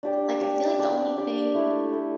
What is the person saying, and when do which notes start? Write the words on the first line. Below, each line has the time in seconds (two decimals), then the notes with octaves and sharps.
Like I feel like the only thing
0.03 D4 G4 D5
0.41 D4 G4 D5
0.79 D4 G4 D5
1.17 D4 G4 D5
1.54 A3 E4 A4
1.92 A3 E4 A4